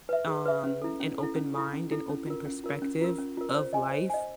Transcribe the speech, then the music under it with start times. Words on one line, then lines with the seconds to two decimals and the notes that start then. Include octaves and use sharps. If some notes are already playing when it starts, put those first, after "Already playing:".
um, an open mind and open perspective of life
0.09 B4 E5
0.27 G#4
0.45 B4 E5
0.64 C#4
0.82 E4 A4
1.00 C#4
1.19 E4 A4
1.36 C#4
1.55 E4 A4
1.73 C#4
1.91 E4 A4
2.09 C#4
2.27 F4 A#4
2.45 C#4
2.64 F4 A#4
2.82 C#4
3.01 F4 A#4
3.18 C#4
3.37 F4 A#4
3.55 C5
3.73 D#5 G#5
3.91 C5
4.10 D#5 G#5